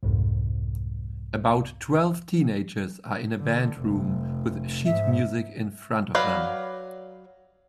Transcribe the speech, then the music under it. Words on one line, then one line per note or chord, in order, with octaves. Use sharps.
About twelve teenagers are in a band room with sheet music in front of them.
C2 F2 G#2
D3
F1
G#2 E5
F#3 B4 D5 F5